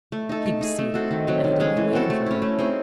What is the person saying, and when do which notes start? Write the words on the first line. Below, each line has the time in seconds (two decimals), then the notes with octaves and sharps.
He was seated, evidently waiting for her.
0.12 A3
0.29 D#4 A4
0.46 A3
0.61 D#4 G#4
0.79 A3
0.94 C4 F#4 A4
1.11 D#3
1.27 F#3 C4
1.44 D#3
1.60 G#3 C#4 G#4
1.77 E3
1.93 C4 F#4 A4
2.10 A3
2.26 C#4 E4
2.42 A3
2.59 C4 D#4 G#4